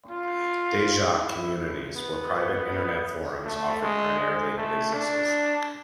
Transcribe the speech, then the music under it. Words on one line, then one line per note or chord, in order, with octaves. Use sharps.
Deja Communities were private Internet forums offered primarily to businesses.
F4
E4
B3
A3
G#3
G#3
A3
D4